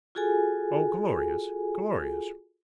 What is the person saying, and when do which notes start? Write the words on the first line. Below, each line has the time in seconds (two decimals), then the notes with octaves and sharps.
Oh, glorious, glorious!
0.15 F4 F#4 G#4 A4 G#5